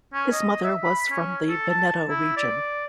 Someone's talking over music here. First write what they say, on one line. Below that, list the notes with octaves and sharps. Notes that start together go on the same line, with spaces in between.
His mother was from the Veneto region.
C#4
D#5
E5
B5
C#4
A4
A5
E4
D5